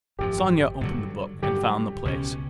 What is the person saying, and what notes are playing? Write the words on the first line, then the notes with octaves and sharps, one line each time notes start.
Sonia opened the book and found the place.
G#1 F#2 D3 F3 G4
G2 D3 F#3
G2 D3 F#3 G4
C#2 B2 G#3 C#4